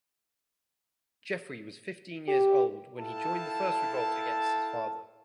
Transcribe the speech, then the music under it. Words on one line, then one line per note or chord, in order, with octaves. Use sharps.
Geoffrey was fifteen years old when he joined the first revolt against his father.
G4
E4 A4 F5 G5 A5